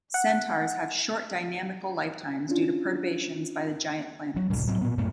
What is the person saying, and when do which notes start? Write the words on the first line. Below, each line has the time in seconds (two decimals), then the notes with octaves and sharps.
Centaurs have short dynamical lifetimes due to perturbations by the giant planets.
0.14 F#5
2.49 C#4 D4 F4
4.36 F#3
4.50 C#2 A2 C3 G3
4.67 F#3 C4
4.81 A#2 B3
4.98 F#2 A#2 A3 A#3